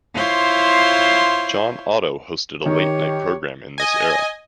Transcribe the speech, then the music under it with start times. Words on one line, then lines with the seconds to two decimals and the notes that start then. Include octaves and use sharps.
John Otto hosted a late night program in this era.
0.14 E4 F4 C5 C#5 C6
2.66 D#3 G4 C#5
3.78 D#5 G#5